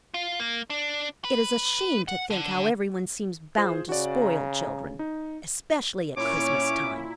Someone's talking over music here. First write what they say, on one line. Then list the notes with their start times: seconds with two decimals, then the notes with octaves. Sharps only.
It is a shame to think how every one seems bound to spoil children, especially at Christmas time.
0.14 F4
0.40 A#3
0.70 D4
1.25 B4
2.08 F#5
2.30 D3
3.58 F4 G#4 C5
3.89 C#3 F#4 D5
4.22 A#5
4.99 D#4
6.17 A#2 C#4 E4 C#5 D6